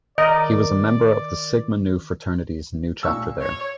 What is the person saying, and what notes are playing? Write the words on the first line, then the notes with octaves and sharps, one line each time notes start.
He was a member of the Sigma Nu fraternity's Nu Chapter there.
D#3 A#4 D5 D#5
A#2 C#6 E6
C#5